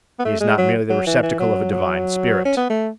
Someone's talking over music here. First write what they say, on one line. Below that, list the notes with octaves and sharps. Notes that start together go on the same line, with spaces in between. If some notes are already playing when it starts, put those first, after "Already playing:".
He is not merely the receptacle of a divine spirit.
B3
A3
G#3
F#3
F#3
E3
E3
F#3
F#3
C#4
B3
A3